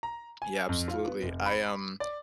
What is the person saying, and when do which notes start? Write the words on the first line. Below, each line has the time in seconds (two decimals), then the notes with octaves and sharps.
Yeah, absolutely. I, um,
0.03 A#5
0.42 G#5
0.69 F2
0.88 F4
1.07 B3
1.22 F1
1.46 B5
2.00 D5